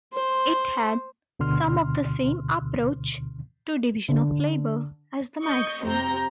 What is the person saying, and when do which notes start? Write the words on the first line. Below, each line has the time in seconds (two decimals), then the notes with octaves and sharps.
It had some of the same approach to division of labour as the magazine.
0.14 C5
1.39 D2 B2 D3 C6 F6
4.09 D3
5.41 D#5 C#6 G6
5.83 F2 C3 C4 A#5 G6